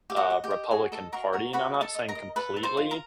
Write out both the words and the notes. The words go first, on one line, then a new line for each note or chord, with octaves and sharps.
uh, Republican Party, and I'm not saying completely,
G4
F#4 F#5
D#5
G4 G5
D#5
F#4 G#4 G#5
A4 D#5 A5
F#4 A#4 A#5
F#4 A#4 A#5
F#4 B4 B5
D#5
A4 A5
D#5
A#4 A#5
D#5
A4 B4 B5
A4
C5 C6
F4
A#4 A#5